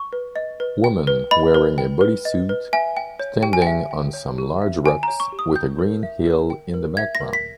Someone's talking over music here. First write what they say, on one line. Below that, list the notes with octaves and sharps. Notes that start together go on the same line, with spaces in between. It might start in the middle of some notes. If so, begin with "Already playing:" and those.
Woman wearing a bodysuit standing on some large rocks with a green hill in the background.
Already playing: C#6
B4
D#5
B4
G5
B4
D#5 B5
B4
G5
B4
D#5
B4
E5 G#5
G5
C#5
G4 G5
G#5
E5 G5
G5
C#5
G4
E5
G5 G#5
C#5 A#5
C#6
G4
D#6
G5 G6
A#4
E5
A#4
G5
A#4
E5 G#6
A#6
A#4
B6